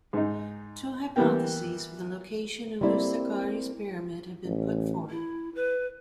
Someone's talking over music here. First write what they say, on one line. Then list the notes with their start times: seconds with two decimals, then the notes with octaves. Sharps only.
Two hypotheses for the location of Userkare's pyramid have been put forth.
0.13 G#2 D#4
1.16 E3 G3 A#3 B3 A#4 G5
2.81 G3 A#3 C4 E4 D5
4.45 A1
5.10 E4
5.55 B4